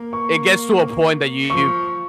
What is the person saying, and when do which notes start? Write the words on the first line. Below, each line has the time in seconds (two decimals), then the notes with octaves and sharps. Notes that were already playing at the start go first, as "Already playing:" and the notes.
It gets to a point that you
Already playing: A#3
0.13 C#6
1.50 F3 C#6